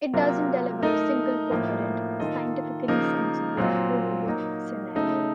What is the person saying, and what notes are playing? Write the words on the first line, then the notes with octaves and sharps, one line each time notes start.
It doesn't deliver a single, coherent, scientifically sensible or provable scenario.
C3 F#3 A#3 F4 A#4
A3 D#4 A#4 D#5
A2 F3 A#3
D#3 A#3 F4 A4 D#5
C#3 F3 A#3 D#4 A#4
A#2 F#3 C4 F4
F#3 A#3 D#4 A#4
C#3 A3 D#4